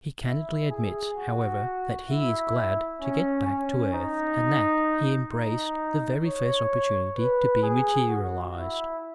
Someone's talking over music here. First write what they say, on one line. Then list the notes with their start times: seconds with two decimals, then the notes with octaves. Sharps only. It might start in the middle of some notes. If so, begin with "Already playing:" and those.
He candidly admits, however, that he is glad to get back to earth and that he embraced the very first opportunity to be materialized.
0.23 E4
0.70 G#4
1.16 F#4
2.08 E4
3.01 C#4
3.47 C#4
3.93 D#4
5.32 D#4
6.24 C#5
7.16 B4
7.62 G#4
8.09 F#4
8.56 E4